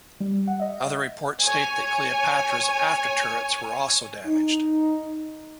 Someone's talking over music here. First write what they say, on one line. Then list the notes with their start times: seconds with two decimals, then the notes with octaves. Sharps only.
Other reports state that "Cleopatra's" after turrets were also damaged.
0.20 G3
0.47 F#5
0.59 D#5 E5
1.44 C#5 G#5
4.26 D#4